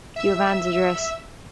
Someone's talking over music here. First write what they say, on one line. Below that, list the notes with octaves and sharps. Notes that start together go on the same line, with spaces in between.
Do you have Anne's address?
E5 E6